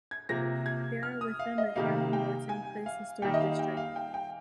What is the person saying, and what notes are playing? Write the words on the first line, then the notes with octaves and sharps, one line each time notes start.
They are within the Herron-Morton Place Historic District.
G#6
C3 F3 A#3 A#6
G#6
F6
D#6
F5
D#5
C3 D#3 G3 A#3 F5
G5
G#5
F5
D#3 G3 A#3 G5
D#5
F5
G5
F5
G5
G5